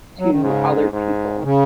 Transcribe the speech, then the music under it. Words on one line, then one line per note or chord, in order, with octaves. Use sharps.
to other people
F#3
D#3
G#2 C#3
G#2
D#3
C#3